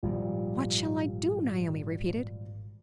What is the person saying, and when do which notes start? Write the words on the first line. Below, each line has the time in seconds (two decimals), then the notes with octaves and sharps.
"What shall I do?" Naomi repeated.
0.03 G#1 A#2 D#3 F3 G3